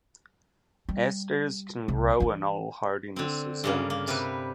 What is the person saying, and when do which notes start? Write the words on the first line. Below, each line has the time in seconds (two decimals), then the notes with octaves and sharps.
Asters can grow in all hardiness zones.
0.89 G3
1.88 C2
2.20 E3 D4
3.16 D3 C4
3.64 G2 C#3 A#3
3.90 A#3
4.08 C3 G3 B4